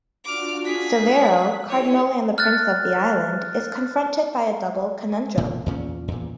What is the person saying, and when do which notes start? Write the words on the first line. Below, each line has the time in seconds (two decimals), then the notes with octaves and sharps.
Severo, Cardinal and Prince of the island, is confronted by a double conundrum.
0.24 D4 F4 F#4 D6 F6
0.65 G#4 B6
0.94 F#6
1.69 E4 G4 A4 C#5
2.38 F6 F#6 A6
5.37 E1 D2 A#2
5.66 E2 A#2 G3 C#4
6.08 E2 A#2